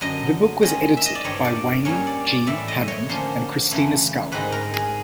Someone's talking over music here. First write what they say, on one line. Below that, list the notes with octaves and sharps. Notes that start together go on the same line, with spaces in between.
The book was edited by Wayne G. Hammond and Christina Scull.
F#2 D3 F#3 D#5
D#3 G#3 C#4 D#5
E5
D#5
D5
G2 D#3 G3 C#5
D5
A#2 G3 A#3 C#4 C#5
D5
D5
A2 E3 G3 E5
D#5
C#5
D3 F3 A#3 C#4 C5
F#2 C#3 E3 A3
G#2 D#3 G#3 C4 D#4 B4
A#4
G#4